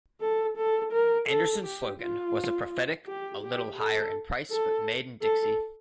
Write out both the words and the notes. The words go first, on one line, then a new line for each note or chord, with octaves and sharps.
Anderson's slogan was a prophetic A little Higher in Price but made in Dixie.
A4
A4
A#4
A4
G4
F4
G4
G4
A4
A4
A4